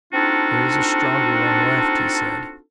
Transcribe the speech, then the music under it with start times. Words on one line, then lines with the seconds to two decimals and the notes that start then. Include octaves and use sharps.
"There is a stronger one left!" he said.
0.13 C4 D4 D#4 F4 F#4 A4